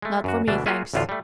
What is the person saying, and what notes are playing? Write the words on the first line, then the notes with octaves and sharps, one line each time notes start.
Not for me thanks.
G#3 A3
F#2 F#4
D2 B2 E3 D4 A5
A#3 F4 F#4 G#4 E5
A1 D2 A2 D3 F4
G3 A3